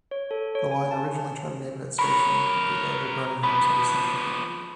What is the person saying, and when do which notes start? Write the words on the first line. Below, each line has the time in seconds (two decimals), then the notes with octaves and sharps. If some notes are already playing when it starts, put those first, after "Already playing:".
The line originally terminated at station at the edge of Birmingham City Centre.
0.11 C#5
0.31 A4
0.55 C#5
0.71 G#5
0.91 A5
1.99 A#4 C#5 B5
3.44 F3 B3 B5